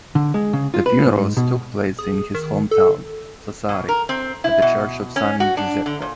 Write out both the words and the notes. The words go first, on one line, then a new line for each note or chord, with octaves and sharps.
The funerals took place in his hometown, Sassari, at the Church of San Giuseppe.
D3
G#3
C#3
F4
B4
G#2
B2
G#4
D#3
A4
B2
A#4
C4
E4
B2
C#4
F#4
D4
D3
A#2